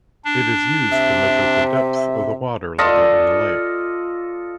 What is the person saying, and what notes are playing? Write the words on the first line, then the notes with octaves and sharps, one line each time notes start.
It is used to measure the depth of the water level in the lake.
D4
C3 E5
F4 A4 D5 D#5